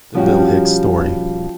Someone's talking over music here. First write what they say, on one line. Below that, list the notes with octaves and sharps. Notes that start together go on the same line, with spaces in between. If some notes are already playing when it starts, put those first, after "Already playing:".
The Bill Hicks Story.
F3 G3 C#4 F#4 G4